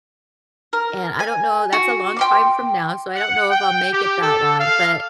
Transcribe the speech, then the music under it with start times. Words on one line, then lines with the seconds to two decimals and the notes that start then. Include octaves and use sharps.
and I don't know, that's a long time from now, so I don't know if I'll make it that long, but
0.73 A#4
1.20 G#5
1.73 F#4
2.17 G5 C6 D6
3.15 F#5
3.50 G5
3.92 G4
4.22 A4
4.60 F5